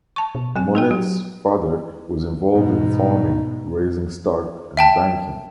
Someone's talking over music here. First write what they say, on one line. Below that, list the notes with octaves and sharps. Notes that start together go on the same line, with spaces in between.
Monnette's father was involved in farming, raising stock, and banking.
A5 C#6
B2
F#3 C4 G#5
D#4 G#4 A#4 G5
F#3 G4
G#2 B2 D#4
E5 G5 A5